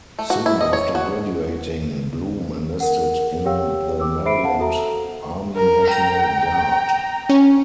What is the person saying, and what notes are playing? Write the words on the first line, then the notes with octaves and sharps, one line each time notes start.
Soon after graduating, Blum enlisted in the Maryland Army National Guard.
A3
F#4
E4
D#5
C#5
F#4
A#4 F#5
G4 C#5 F5 G5 E6
D6 E6
C5 E5 B5 C7 D7
F5 F#5 A5
F#4 A4 E5 A#5
A#4
G5 A#5
C#4